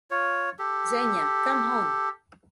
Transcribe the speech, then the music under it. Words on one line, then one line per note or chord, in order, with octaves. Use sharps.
Zhenya, come on!
F4 C#5
G4 A4